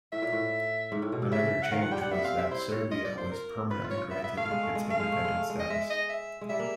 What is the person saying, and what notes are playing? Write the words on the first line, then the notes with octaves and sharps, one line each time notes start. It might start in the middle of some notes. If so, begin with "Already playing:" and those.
Another change was that Serbia was permanently granted its independent status.
A2 E5
A#2
A2
G#2
A2
B2
C3
C#3 E5
F#5
D#3 F5
F3 F#5
G3 G5
G3 F#5
B3 E5
C4 F5
C4 E5
E4 C5
C#5
F4 D#5
D5
C5
A#4
F4 B4
F4
C#5
F4
B3 E5
B3 E5
A3 F5
G#3
A3
G#3
A3 F5
G#3
A3
G#3
A3
G#3
D#5
G#3 E5
D#5
E5
G#3
G3 E5
A#3